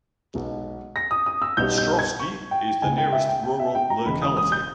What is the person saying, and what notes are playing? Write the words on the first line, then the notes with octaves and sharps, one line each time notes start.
Ostrovsky is the nearest rural locality.
B1 B2 G#3
A#6
D#6
D#6
E6
B1 B2 G3 G6
G6
G#6
C#6
G5
C#2 C#3 G#3 G#5
G5
E5
G5
G5
E5
G5
A#5
E1 E2 C#3 G#3 B5
D#6
D#6
G6